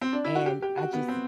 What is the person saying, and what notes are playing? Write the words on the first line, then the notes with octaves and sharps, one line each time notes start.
and I just
C4
D4
E4
F#4
G4
G4
F#4
B3
C4